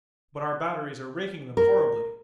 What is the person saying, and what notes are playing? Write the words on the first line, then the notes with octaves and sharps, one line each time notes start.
But our batteries are raking them horribly.
A#4